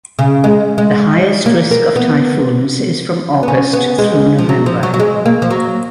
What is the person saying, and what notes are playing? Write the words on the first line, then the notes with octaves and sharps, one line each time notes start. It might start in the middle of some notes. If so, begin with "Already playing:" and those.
The highest risk of typhoons is from August through November.
C#3
G#3
G#3
A#3
A#3
B3
B3
C#4
B3
G#3
F3
F#3
F3
F#3
F#3
G#3
A#3
F3
F#3